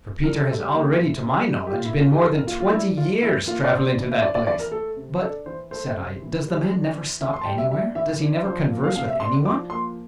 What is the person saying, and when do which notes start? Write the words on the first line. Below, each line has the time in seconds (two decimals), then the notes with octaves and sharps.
For Peter has already, to my knowledge, been more than twenty years travelling to that place." "But," said I, "does the man never stop anywhere, does he never converse with anyone?
0.24 D4 A#4
0.36 A4
0.48 G3 A4
0.60 G4
0.72 A#3
0.98 A2
1.23 D4
1.47 G3
1.67 G4
1.72 A#3 F4
1.85 E4
1.97 A2 F4
2.11 G4
2.22 E3 A4
2.34 A#4
2.47 A#3 F4
2.60 F4
2.73 D4 E4
2.97 E3 F4
3.22 E3 E4
3.47 A#3 F4
3.64 D5
3.72 D4 C5
3.96 E3
4.12 E5
4.21 D4 D5
4.35 D5
4.47 E3 D5
4.59 A#4
4.72 A3 A4
4.96 C3
5.22 D4 A4
5.46 E3 C5
5.71 A3 C5
5.97 C3
6.22 E3
6.46 G3
6.71 D4
6.96 E3
7.21 E3 E5
7.34 C6
7.41 A5
7.46 G3 G5
7.58 E5
7.71 D4 E5
7.95 E3 E5
8.21 D4
8.45 F3 C5
8.71 A#3
8.84 F5
8.96 C3 F5
9.08 E5
9.20 D4 C6
9.45 F3 D6
9.70 A#3 C6